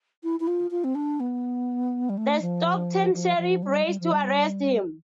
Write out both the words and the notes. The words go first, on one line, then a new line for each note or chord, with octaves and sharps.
The Stockton Sheriff raced to arrest him.
E4
E4
F4
F4
C4
D4
B3
G3
A3
F3
F3
F3
G3
G3
F3
G3